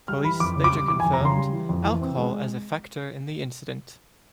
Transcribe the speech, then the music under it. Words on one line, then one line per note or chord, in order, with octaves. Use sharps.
Police later confirmed alcohol as a factor in the accident.
G3 F6
E3 B5
F2 D6
C#3
D6
G3
E3 D6
G#5
F2
A#5
C#3 C6
G3
E3
F2
E3
C4
G#3